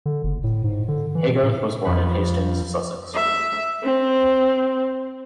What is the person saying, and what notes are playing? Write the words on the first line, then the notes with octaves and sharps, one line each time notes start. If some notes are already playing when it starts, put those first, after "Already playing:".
Haygarth was born in Hastings, Sussex.
D3
F#1
A2
G#2
D3
E3
B2
A2
F2 F3 B4
E5
C4